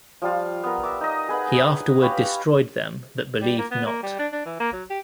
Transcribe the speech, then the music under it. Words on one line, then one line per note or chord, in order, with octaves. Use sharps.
He afterward destroyed them that believed not.
F3 G3 F4
B3 A#4
E5 A#5 D6
D#4 D#5
G#4 B4 F#5
G4 B4 C#5 F5
G3
A#3
B3
A#3
G3
D4
D4
E3
A#3
F#3
G4